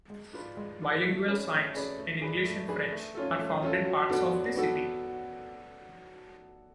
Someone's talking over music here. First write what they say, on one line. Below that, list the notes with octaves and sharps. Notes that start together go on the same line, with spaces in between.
Bilingual signs, in English and French, are found in parts of the city.
G#3
D4 F4 B4
G#3
D4 F4 B4
A3
C#4 G#4 B4 D5
A3
C#4 G#4 B4 D5
A3
D4 G#4 B4
A3
D4 G#4 B4
A3
C#4 F4 A4
A3
C#4 F4 A4
F#3
B3 D4 F#4 A4
F#3
B3 D4 F#4 A4